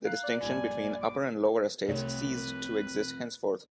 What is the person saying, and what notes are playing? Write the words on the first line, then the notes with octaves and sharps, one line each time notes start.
The distinction between "Upper" and "Lower" estates ceased to exist henceforth.
F5 A#5 F#6 C7
D5
A#1 G2 A#3 G#5
D6
C2 A3 C4 F4 B4 C#5 E5